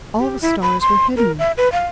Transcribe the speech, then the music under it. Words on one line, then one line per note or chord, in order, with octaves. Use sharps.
All the stars were hidden.
G4
E4
B5
C6
A#4
E5
B4
F5